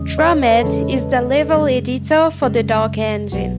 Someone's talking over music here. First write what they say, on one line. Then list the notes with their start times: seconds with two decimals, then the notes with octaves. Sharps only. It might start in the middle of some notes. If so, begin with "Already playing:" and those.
DromEd is the level editor for the Dark Engine.
Already playing: E2 C#3 G#3 C#4 D#5
0.18 C#5
0.51 B4
0.63 E2 C#3 G#3 C#4 A4
1.53 F#2 C#3 G#3
2.42 F#2 C#3 G#3
3.32 B1 B2 F#3 B3 F#4